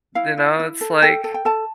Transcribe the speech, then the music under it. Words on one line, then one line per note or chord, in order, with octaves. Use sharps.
you know, it's, like,
E4 F5
E4
E4
A4
A4 G5
A4
G5
A4 A5